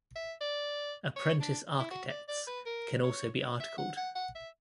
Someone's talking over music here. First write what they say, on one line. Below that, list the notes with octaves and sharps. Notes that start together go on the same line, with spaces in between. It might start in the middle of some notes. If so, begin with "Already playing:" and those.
Apprentice architects can also be articled.
E5
D5
C#5
D4
E4
F#4
D5
D5
B4
A#4
C#5
E5
F#5
F#5
F#5
E5